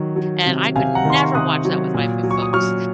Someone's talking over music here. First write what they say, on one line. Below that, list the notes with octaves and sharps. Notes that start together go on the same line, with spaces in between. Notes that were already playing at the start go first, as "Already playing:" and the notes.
and I could never watch that with my p folks.
Already playing: D#3 F#3
F#3
C3
C3 F5 G#5
F#5 A#5
D#3 C6
A#5 C#6
C3 D#6 F#6
F#3
A#2
F#3
C#6
D#6
F#3 C#6 F6